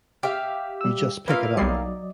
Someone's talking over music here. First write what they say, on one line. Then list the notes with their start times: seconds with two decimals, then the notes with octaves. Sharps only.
You just pick it up.
0.23 G4 E5 F5
0.81 G3 E6
1.28 A#3 E4 F4 B4 F5
1.57 B1 F#3 G3 D5 D#5 C7